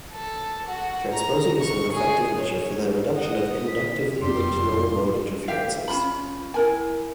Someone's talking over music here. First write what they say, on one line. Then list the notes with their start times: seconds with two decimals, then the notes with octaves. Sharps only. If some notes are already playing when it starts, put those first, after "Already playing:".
Transposing is an effective measure for the reduction of inductively linked normal mode interferences.
0.13 A4
0.67 F#4
1.13 A#5
1.61 C#6
1.93 G#4
2.38 C#5
3.15 D#5 F#5
3.68 B6
4.21 F1 F#2 G3 D4 C6
5.48 G4 E5 F5
5.88 C#4 F4 B5
6.54 E4 A#4 G#5